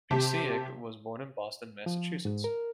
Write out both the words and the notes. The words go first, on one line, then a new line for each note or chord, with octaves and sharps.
Busiek was born in Boston, Massachusetts.
C3 G4 A5
F3
G#2
A#4